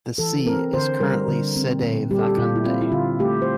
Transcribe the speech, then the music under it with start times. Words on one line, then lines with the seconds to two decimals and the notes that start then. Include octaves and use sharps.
The see is currently sede vacante.
0.18 E3 A4
0.46 C4 A#4
0.73 D3 C5
1.00 G3 A#4
1.28 D3
1.56 C4
1.83 A#2
2.11 G3 G4
2.19 A4
2.27 G4
2.37 A#2 F4
2.56 E4
2.64 C4 F4
2.82 E4
2.92 D3 F4
3.19 A3 G4
3.42 C5